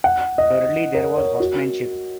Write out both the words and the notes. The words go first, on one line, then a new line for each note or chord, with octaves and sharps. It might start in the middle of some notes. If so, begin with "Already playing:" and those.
Thirdly there was horsemanship.
F#5
D#5
A#4
C#5
F#4